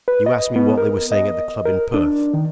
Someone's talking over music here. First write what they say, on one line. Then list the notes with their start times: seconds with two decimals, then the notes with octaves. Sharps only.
You ask me what they were saying at the club in Perth.
0.08 B4
0.26 D#5
0.56 B3
0.77 A#4
1.12 D#5
1.65 A#4
1.94 D4
2.33 D#3